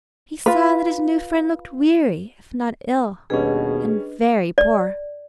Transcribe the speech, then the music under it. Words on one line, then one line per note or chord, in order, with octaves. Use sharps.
He saw that his new friend looked weary, if not ill, and very poor.
F4 B4
D#2 B2 G3 C#4 D4 G#4 B4 D#5
D5